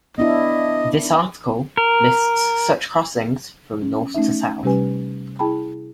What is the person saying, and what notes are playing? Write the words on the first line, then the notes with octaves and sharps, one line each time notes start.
This article lists such crossings from north to south.
B3 D4 E4 D#5
A#4
C#4
A3 C#4 D#4 E5
C3 G3 C#4 G4 B4 G#5
E4 G#4 G5 A5 B5